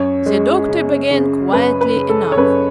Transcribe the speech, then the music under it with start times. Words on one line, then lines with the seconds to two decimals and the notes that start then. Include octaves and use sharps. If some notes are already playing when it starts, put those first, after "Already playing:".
The doctor began quietly enough.
Already playing: F#2 C#5
0.26 G#3
0.68 C#3
1.11 C#3
1.53 F#2 B4
1.81 B4
1.95 C#3
2.09 A4
2.32 C#5
2.37 F#2 B4